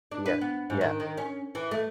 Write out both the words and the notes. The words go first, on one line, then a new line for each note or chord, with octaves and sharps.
Yeah. Yeah.
D4
B4
B3
G#2
D#3
D#3
C#4
E3
A3